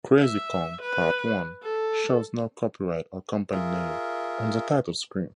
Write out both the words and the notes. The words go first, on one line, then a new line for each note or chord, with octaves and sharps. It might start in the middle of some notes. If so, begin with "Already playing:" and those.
"Crazy Kong Part One" shows no copyright or company name on the title screen.
E5
B4
A4
F4 G#4 A#4 E5